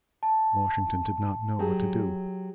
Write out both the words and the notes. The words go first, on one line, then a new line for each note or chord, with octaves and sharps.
Washington did not know what to do.
A5
F#3 G4 G#4